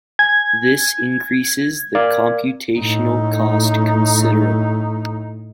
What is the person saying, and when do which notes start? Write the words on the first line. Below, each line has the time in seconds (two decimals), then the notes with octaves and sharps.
This increases the computational cost considerably.
0.19 G#5 G#6
1.95 A#4 D5 F5
2.78 A2 D#4